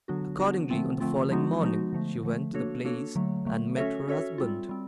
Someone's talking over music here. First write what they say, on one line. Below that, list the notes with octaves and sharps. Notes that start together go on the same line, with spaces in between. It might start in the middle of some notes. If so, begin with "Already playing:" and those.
Accordingly, on the following morning she went to the place and met her husband.
D3 F#3 B3 D4 F#4
D3 F#3 B3 D4 F#4
D3 F3 A3 C4 F4
D3 F3 A3 C4 F4
F3 G#3 B3 D#4 F#4
F3 G#3 B3 D#4 F#4
D3 F3 A3
D3 F3 A3
A#3 D4 F#4 A4 C#5
A#3 D4 F#4 A4 C#5
D3 F#3 A3
D3 F#3 A3
C#4 F#4 A4 C#5 E5
C#4 F#4 A4 C#5 E5
G3 C4 F4
G3 C4